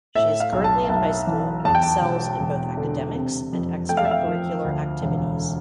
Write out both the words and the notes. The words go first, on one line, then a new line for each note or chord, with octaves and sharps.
She is currently in high school and excels in both academics and extracurricular activities.
A2 E5
F5
B1
A5
B1 A5
E3
E2 A5
G5
A5
E1
E1
D3
C3
F2
A3 G5
F5
E5
F5
F3
D2
E1